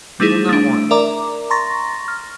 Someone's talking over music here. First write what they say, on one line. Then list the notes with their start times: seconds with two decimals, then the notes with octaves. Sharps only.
"He will not want me."
0.20 G3 A3 D#4 E4 G#4
0.49 A3 D4
0.91 A#4 D5 E5 A#5 D6
1.50 A#5 C6 C#6 A6 A#6
2.08 F6